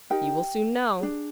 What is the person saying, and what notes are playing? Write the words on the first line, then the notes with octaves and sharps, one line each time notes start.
"You will soon know."
D#4 G4 A#4 G5
D4 G#4